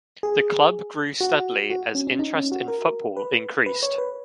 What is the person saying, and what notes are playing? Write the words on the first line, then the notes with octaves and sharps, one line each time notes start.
The club grew steadily as interest in football increased.
G#4
F#4
F#4
C#4
C#4
D#4
C#4
F#4
A#4
B4
B4
C#5
B4